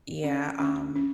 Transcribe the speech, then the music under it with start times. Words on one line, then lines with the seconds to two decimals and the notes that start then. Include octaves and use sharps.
Yeah. Um,
0.24 C#4
0.60 C#4
0.96 C#4